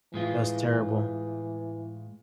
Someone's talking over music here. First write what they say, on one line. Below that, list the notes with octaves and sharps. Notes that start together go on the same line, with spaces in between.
it was terrible.
A2 E3 G#3 F4